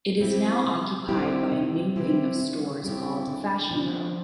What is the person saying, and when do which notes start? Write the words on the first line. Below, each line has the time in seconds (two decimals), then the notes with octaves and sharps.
It is now occupied by a new wing of stores called "Fashion Row".
0.20 G3 C4 E4 G4
0.64 C3
1.08 G3 C4 E4 G4
1.52 C3
1.96 G3 C4 E4 G4
2.40 C3
2.84 G3 C4 E4 G4
3.28 D3
3.71 F3 B3 D4